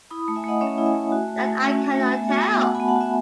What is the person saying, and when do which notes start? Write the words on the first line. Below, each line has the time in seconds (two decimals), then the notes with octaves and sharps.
That I cannot tell.
0.11 E4 B5 D#6
0.28 A3
0.36 E5 G#5
0.44 A3 D#5 F#5
0.61 C#4 C#5 E5
0.78 E4
0.86 E5 G#5
0.95 A3
1.12 F#4
1.28 A3
1.45 A3
1.62 C#4
1.78 F#4
1.96 A3
2.12 B3 E5 G#5
2.29 F#4
2.46 B3
2.62 F#4 F#5 A5
2.75 B3 G#5 B5
2.88 F#5 A5
2.96 F#4 E5 G#5